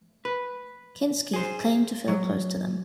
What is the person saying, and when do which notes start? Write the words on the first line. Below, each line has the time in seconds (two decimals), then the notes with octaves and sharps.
Kinski claimed to feel close to them.
0.25 B4
1.33 G#4 C5
2.08 F#3